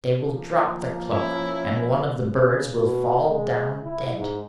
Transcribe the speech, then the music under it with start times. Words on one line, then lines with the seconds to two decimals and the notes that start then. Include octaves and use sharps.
They will drop the cloak, and one of the birds will fall down dead.
0.20 F3 A#3
1.10 C#4 E4
2.30 C#3
2.73 B2
3.29 G#3
3.84 E4
4.16 G#2